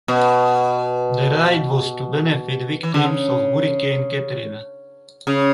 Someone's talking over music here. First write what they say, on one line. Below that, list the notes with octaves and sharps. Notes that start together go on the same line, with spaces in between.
The ride was to benefit victims of Hurricane Katrina.
B2
E3
D3
C#3
C#3